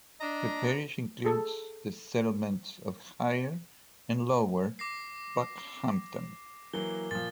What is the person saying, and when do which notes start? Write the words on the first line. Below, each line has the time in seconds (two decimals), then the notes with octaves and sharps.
The parish includes the settlements of Higher and Lower Bockhampton.
0.20 D4 D#5 A#5
1.25 G#4 A4
4.79 D6 A#6 C7
6.73 E3 F#3 A#3 G7
7.11 A#2 F3 A6